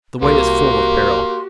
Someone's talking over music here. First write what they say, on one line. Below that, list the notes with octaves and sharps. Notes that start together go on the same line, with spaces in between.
The way is full of peril.
C2 A#3 F#4 G4 C6